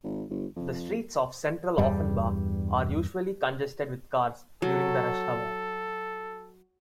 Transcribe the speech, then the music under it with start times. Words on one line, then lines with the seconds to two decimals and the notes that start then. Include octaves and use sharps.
The streets of central Offenbach are usually congested with cars during the rush hour.
0.04 G#1
0.30 G1
0.56 F2
1.78 E2 G2 G3
4.62 F#3 A4